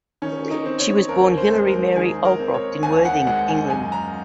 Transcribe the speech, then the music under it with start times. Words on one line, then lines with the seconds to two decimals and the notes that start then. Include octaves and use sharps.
She was born Hilary Mary Allcroft in Worthing, England.
0.22 D#3 C#4
0.51 D#4
0.65 C4
0.79 C#5
1.09 D#2 A#4
1.38 C5
1.53 G#3
1.67 A#4
1.96 D#3 G#4
2.25 A#4
2.39 C4
2.54 C#5
2.83 D#2 G#5
3.05 F#5
3.27 G#3 F#5
3.48 G#5
3.70 F#2 G#5
3.92 A#5